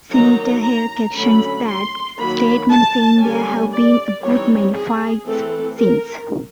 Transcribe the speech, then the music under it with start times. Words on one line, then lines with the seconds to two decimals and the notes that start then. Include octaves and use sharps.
Senator Hale questions that statement, saying there have been a good many fights since.
0.12 D#3 F#3 A#3 D#4 A#5
0.63 A#5
1.15 D3 F#3 A3 C#4 B5
1.67 C6
2.17 D#3 F#3 A#3 B5
2.70 A5
3.20 D3 G3 A#3 C#4 G#5
3.73 D5
4.23 E3 G3 C4 D#4 C#5
4.75 G#4
5.26 E3 A3 C4 A4
5.78 A#4